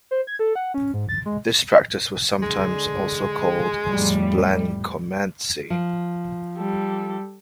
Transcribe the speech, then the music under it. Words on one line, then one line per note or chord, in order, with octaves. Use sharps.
This practice was sometimes also called splanchomancy.
C5
G#6
A4
F#5
C#4
G#2
A6
G#3
D3 G#3
F2 A2 G3
F3
G3 A4